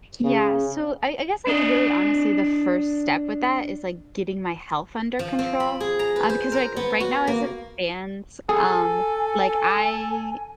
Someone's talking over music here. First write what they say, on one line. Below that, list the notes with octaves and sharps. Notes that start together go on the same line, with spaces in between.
Yeah. So, I I guess, like, really honestly, the first step with that is, like, getting my health under control, uh, because, like, right now as it stands, um, like, I
C#3
D4 D#5
F3
C4
B5
G#4
A#5
B4
C5
A#4
B3
F#4
A#3
G#4 A4 G#5